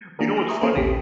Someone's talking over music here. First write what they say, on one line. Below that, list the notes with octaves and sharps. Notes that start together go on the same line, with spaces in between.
you know, what's funny?
A#3 D4 F#4 G#4 A#4
D6 F6 A6 A#6 D7 E7
E5 A#5 C#6 D#6
A#3 C#4 A4 C#5 C7
A#1 D#2 C#4 G4 A#6